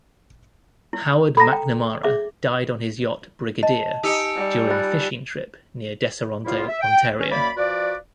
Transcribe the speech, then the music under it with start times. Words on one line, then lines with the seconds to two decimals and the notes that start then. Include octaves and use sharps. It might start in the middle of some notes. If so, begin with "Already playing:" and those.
Howard McNamara died on his yacht "Brigadier" during a fishing trip near Deseronto, Ontario.
0.93 E4
1.37 A4 A#5 B5 A#6
1.53 G5
2.03 G#4 E5 D6
3.63 D#5 A5
4.03 D#4 G4 G#5 E6 C#7
4.36 G3
4.70 F4 B5 F#6 A6
6.45 C2 A2 E4 F4
6.68 E5
6.81 G5
7.19 C#4
7.31 F#2 A#3 D5 B5
7.57 F3 F#4 B4 D5